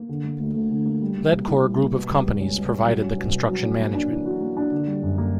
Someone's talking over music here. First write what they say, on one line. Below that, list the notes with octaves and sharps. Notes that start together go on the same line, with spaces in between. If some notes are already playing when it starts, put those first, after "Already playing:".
Ledcor Group of Companies provided the Construction Management.
Already playing: A#3
D3
A#3
D2
D2
D3
A#3
G3
A#3
A#2
E4
G3
A#3
B2
G3
C#2
C#4
B2
G3
F#3
C#4
B2
B2
F#3
C#4
A#3
D4
E3
F#4
A#3
D4
D3
G3
F#2
A#3